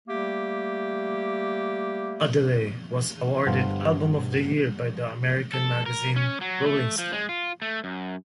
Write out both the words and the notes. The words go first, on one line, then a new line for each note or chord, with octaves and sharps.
Odelay was awarded Album of the Year by the American magazine Rolling Stone.
G3 A3 A#3 G4
G1 G2 B3 C5 F5
A4
A#4
C#4
F#3
A3
F3
G#3
F4
A3
F#2